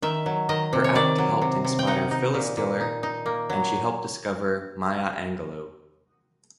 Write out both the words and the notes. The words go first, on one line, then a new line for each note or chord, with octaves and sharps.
Her act helped inspire Phyllis Diller and she helped discover Maya Angelou.
D#3 E5
F#3
D#3 D#5
C3
C#5
D#3 D5
F#3
C3
C3
G5
D#4 F#5
D#4
A#2
A#2
D#4
D#4
A#3
F#3